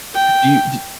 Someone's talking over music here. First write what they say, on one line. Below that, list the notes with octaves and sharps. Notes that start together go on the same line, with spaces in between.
Do you do
G5